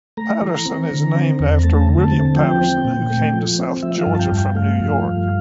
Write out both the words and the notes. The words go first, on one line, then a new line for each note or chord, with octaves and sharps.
Patterson is named after William Patterson, who came to South Georgia from New York.
A3 A#5
E3
C4
D3
C4
E2
A#5
A3 A5
D3
A5
C4
F3 G5
C4
A#2
A3
F3
C4
F3 E5
F5
G2
A5
G5
G2
G5
A3 F5
F3
G2